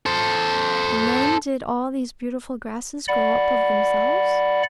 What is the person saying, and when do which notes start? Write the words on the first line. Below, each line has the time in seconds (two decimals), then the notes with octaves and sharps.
And then did all these beautiful grasses grow up of themselves?
0.06 A4 C5
3.08 D5 F#5 B5